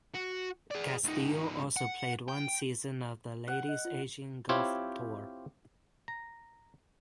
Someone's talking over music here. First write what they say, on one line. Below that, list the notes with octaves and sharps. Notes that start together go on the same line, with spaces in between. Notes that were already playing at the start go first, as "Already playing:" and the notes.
Castillo also played one season on the Ladies Asian Golf Tour.
F#4
G#4 D5
C#2 D#4
F#5
G5
F#5
D#5
F4
C4 E4 F4 G4 C5 C#5
A#5